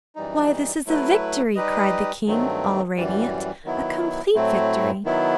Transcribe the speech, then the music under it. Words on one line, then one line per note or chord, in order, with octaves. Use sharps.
"Why, this is a victory!" cried the king, all radiant, "a complete victory!"
F#2 E3 G3 D#4
F#3 A3 E4 B4
G3 D#4 G4 B4 D#5
G2 D#3 F#3 A3 C4
F#2 E3 G3
D#3 F#3 B3 E4
A2 F#3 A3 C4 E4
D#3 F#3 B3 E4